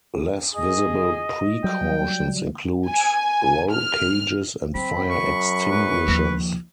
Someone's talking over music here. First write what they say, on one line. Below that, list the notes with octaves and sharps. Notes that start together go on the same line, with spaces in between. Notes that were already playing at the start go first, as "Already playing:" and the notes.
Less visible precautions include roll cages and fire extinguishers.
G#4 D#5
F#3 G3 G5
G#5
F6
F#3 C4 B5
F#2 C#6
B4
D#2 F3